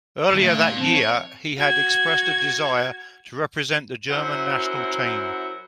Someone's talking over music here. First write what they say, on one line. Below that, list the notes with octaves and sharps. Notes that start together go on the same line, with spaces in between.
Earlier that year, he had expressed a desire to represent the German national team.
G2 D#3
A#2 A3 F5
F3 C4
C#5
F#4 G#6
F#2 F#3 E4 F#4 C5